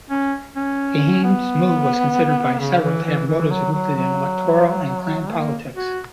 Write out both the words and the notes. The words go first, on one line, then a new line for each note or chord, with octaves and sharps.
Kahin's move was considered by several to have motives rooted in electoral and clan-politics.
C#4
C#4
B3
C#3
E3
E3
E3
F#3
F#3
F#3
A#3
F#4